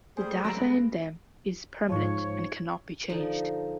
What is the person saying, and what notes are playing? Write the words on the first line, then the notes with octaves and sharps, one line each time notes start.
The data in them is permanent and cannot be changed.
G3 A3 G#4 C5 G#5
F#3 G3 A3 A#5 C6 E6 A#6 D7
G2 G#3 B4
G#2 F3 C#5
D3 F3 D#4